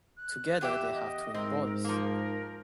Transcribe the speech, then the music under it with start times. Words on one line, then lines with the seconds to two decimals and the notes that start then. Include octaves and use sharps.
Together they have twin boys.
0.17 F#6
0.61 E2 G4 E5
0.93 D#5
1.34 G#2 C4 A#4
1.84 F3 A#3 A#4